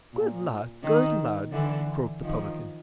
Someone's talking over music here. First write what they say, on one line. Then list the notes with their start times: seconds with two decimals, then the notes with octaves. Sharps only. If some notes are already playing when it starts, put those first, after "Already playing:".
"Good lad! good lad!" croaked the publican.
0.13 A#2
0.83 D#3
1.52 D3 E3
2.22 D#3 F3